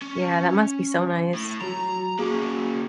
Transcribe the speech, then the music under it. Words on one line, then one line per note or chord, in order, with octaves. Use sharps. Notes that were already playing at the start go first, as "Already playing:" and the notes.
Yeah, that must be so nice.
C#4
A2
F#3 F#4 A#5
A#3 C#4 F#4 G#4